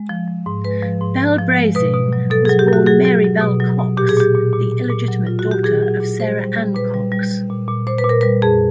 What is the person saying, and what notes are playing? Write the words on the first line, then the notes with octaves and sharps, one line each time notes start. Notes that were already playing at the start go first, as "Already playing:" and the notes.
Belle Brezing was born Mary Belle Cox, the illegitimate daughter of Sarah Ann Cox.
Already playing: G#3
F3
F3
G#2
G#3 B4
F3
G#2
F3
F3
G#3
B2 B4
B2
F#3
B2 A4
G#4
F#3
G4
F#3 F#4
F#3 G#4
F#3
F#3
B2
F#3
B2
A#2 G4
G#4
A#2 G4
A#2
A#2
A#2
A#2
F#3
F#3 F4
F#4
F#3
G4
A#2 G#4
F#3
A#2
G3 C5
G3
G3
A#2 B4
G3
G3
G3
A#2
A#2
A#2 C5
B4
A#2
A#4
G3 B4
F2 G#4